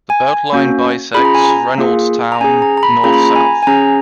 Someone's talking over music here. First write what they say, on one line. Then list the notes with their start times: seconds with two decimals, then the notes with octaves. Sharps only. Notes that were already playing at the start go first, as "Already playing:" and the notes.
The BeltLine bisects Reynoldstown north-south.
0.10 G#5
0.53 A#3 C#4 F#4
1.14 C#4 F4 G#4 B5
1.25 A#5
1.35 G#5
1.45 A#5
1.78 A#3 F4 G#4
2.32 A#5
2.41 C#4 G#5
2.44 G#4
2.62 A#5
2.77 A#5
2.83 B5
3.04 A#3 C#4 F4 G#4 A#5
3.14 B5
3.24 A#5
3.36 G#5
3.63 G#5
3.67 C#4 G#4 A#5